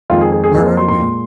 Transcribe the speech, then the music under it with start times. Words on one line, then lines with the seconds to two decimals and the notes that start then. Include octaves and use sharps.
"Where are we?"
0.10 F2 D#3 G#3 F4
0.21 G#4
0.32 G#4
0.44 G#4
0.55 F2 F3 A#3 G#4
0.66 C5
0.77 C6
0.88 C6
0.99 A#2 G#3